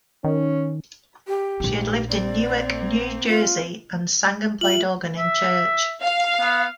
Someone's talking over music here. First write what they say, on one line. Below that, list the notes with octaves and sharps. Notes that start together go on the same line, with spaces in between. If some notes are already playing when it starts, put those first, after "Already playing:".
She had lived in Newark, New Jersey, and sang and played organ in church.
D#3 C#4
G4
A#1 G#2 A3 D#4
A#3 C4 D5
F4
F4 E5 F#7
E5
F5
B3